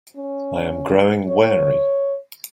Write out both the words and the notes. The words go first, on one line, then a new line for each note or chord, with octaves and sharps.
I am growing wary.
C#4
C#5